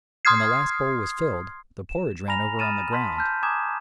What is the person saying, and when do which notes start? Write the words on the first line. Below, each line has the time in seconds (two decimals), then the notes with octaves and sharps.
When the last bowl was filled, the porridge ran over on the ground.
0.25 C6 D#6 F6 G#6 C7
1.89 E7
2.28 G#5 A#5 B5 F6 A#6 F7
2.59 B5 D#6 F6 A6 D#7 E7
2.92 A5 C6 B6
3.17 A5 F6 G6
3.43 G#5 A#5 D6 D#6 G#6 E7